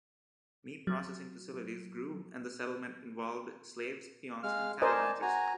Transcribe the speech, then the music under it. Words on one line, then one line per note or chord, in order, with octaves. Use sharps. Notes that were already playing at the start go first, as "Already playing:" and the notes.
Meat processing facilities grew and the settlement involved slaves, peons and cattle ranchers.
F#3
G#3 F5 F6
A#4 C5 D5 D#5 G#5 A5
F#4 G#5 A#5